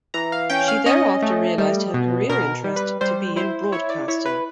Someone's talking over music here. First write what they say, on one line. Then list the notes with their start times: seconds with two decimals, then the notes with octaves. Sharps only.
She thereafter realised her career interest to be in broadcasting.
0.14 E3 A#5
0.32 F5
0.50 C#4 G5
0.68 F5
0.86 C#4 D#5
1.22 A3
1.58 G3
1.94 B2
2.29 B2 A#4
2.64 G3
2.76 B4
3.01 G3 C5
3.36 E4 C5
3.72 E4 C#5
3.90 D5
4.08 E4 C#5
4.25 B4